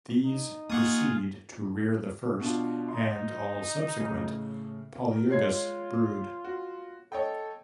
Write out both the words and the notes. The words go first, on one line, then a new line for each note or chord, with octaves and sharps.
These proceed to rear the first and all subsequent "Polyergus" brood.
D#4
A#3 F4 G#4 F#5 C#6 D#6
B2 D4 F4
D#4 C6
A2 C#3
A#4
G#3 F4 C#5 G#6 C7
F#4
A4 C#5 D#5 G5